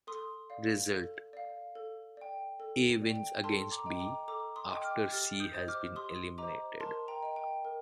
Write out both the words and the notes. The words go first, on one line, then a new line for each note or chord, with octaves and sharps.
Result: A wins against B, after C has been eliminated.
A4 C6 D#6
D5 F5
A4
D5 F5
A4
D5 G5
A4
D5 G5
A4 A5 C6
A#5 D6
D#5 G5
A#5 D6
A4 A#5 D6
C6 D#6
D#5 G5
D6 F6
G4 F6 A6
D#6 G6
C5 D#5
D6 F6
G4 C6 D#6
C5 D#5 A#5 D6
A#4 A5 C6
G5 A#5
D#5 G5
G5
A#4